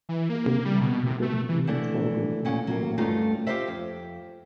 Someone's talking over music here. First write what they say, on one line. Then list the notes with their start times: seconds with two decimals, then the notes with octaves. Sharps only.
Today the National Day is mainly celebrated in Taiwan.
0.09 E3
0.29 A#3
0.65 G3
0.81 B2
1.06 C3
1.22 A3
1.49 E3
1.67 D3 E3 A3 D4
2.45 A#2 C#4 F#5
2.67 F#3 A#3
2.98 D2 G2 A3 C#4 D#4 F4
3.47 F4 G4 B4 C5 D#5 E5
3.67 F2